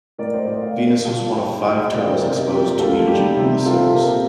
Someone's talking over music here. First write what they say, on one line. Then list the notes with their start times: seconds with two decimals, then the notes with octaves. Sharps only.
Venus was one of five turtles exposed to mutagen in the sewers.
0.18 A2 A#4 D5
0.34 C5 D#5
0.47 A2 A#4 D5
0.61 D5 F5
0.77 A#3
1.05 G3 F5 A5
1.34 G3 D#5 G5
1.62 D2 D#5 G5
1.83 G5
1.92 D#3 D5 F5
2.06 C5 D#5
2.16 D#5
2.20 C3 A#4 D5
2.35 G4 A#4
2.49 A#3 G4 A#4
2.75 A#4
2.79 D2 F4 A4
3.07 G3 D#4 G4
3.37 C3
3.65 C4 F4 A4
3.94 A#2 G4 A#4